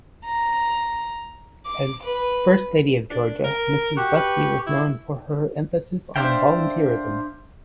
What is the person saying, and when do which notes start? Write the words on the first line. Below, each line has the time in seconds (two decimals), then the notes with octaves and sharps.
As First Lady of Georgia, Mrs. Busbee was known for her emphasis on volunteerism.
0.24 A#5
1.65 D6
2.02 B4
3.10 D4
3.44 A#4
3.97 F#4 G4 C#6
4.16 B4
4.67 E4
6.16 D4 C5 E5 F5 G5